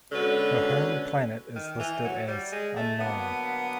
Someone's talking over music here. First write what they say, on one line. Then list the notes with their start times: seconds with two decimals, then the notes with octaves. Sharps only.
Her home planet is listed as "unknown".
0.11 B2 D3 G#3 C#4 F#4 B4
1.56 D#3
1.80 E3
2.04 F#3
2.28 G3
2.52 G#3
2.76 A3
3.00 D3 F#3 A#3 B3